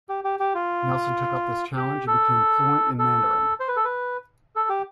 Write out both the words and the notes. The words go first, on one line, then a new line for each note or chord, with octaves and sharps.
Nelson took up this challenge and became fluent in Mandarin.
G4
G4
G4
F4
G4
A4
A4
C5
B4
A4
B4
A4
G4